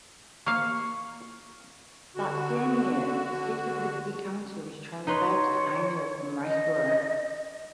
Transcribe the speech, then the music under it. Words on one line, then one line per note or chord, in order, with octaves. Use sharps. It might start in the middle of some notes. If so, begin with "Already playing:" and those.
That same year, the seat of Liberty County was transferred to Hinesville from Riceboro.
A#3 F5 C#6
D3 F#4
D#4 B4 C#5 C6
D#5